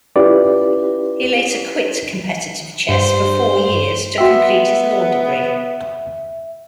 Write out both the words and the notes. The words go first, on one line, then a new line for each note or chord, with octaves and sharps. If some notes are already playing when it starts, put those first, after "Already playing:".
He later quit competitive chess for four years to complete his law degree.
C#4 E4 F4 G4 B4 D5
G2 C5
B3 F#4 E5 G5